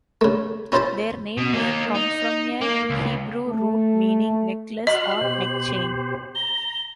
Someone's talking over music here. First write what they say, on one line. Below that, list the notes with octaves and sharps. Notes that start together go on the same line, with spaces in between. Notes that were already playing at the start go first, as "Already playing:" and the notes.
Their name may come from a Hebrew root meaning "necklace" or "neck-chain".
C#3 A3
C#4 E4 F4 C5 A5 B5
B2
A#3 D#4
D#4
A#3
C#2
A3
F#4 D#5 C6 F6 F#7
B2 G4 C5
A#5 G7